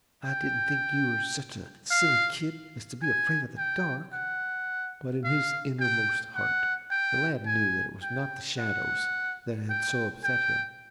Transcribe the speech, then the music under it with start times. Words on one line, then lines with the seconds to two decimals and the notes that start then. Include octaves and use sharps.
"I didn't think you were such a silly kid as to be afraid of the dark." But in his innermost heart the lad knew that it was not the shadows that had so upset him.
0.25 G5
1.91 F5
3.02 G#5
3.58 G5
4.13 F#5
5.24 F5
5.80 G5
6.35 F#5
6.91 G5
7.46 G#5
8.03 G5
8.58 F#5
9.69 G5
10.24 G5